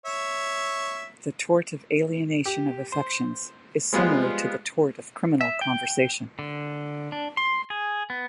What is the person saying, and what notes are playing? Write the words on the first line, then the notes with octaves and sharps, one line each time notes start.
The tort of alienation of affections is similar to the tort of criminal conversation.
C#5 E5
G4
C5
F3 G3 G#3 B3 F4
E5
G5
D3
D4
C6
G#4
B3